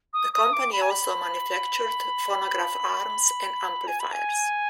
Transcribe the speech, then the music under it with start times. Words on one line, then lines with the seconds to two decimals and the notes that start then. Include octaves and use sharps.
The company also manufactured phonograph arms and amplifiers.
0.13 D#6
0.33 D#6
0.53 D6
0.72 B5
0.82 G#5
0.90 B5
3.87 G#5
4.00 B5
4.12 G#5